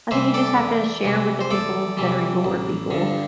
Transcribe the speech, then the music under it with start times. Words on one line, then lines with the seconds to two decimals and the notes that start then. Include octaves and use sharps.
I think you just have to share with the people that are your people.
0.11 C3 E3 G3 C5 E5
0.34 A4 D5
0.57 E2
1.04 C3 E3 G3
1.41 C5
1.50 E2 A4 D5
1.97 C3 E3 G3
2.44 A1
2.91 G2 D3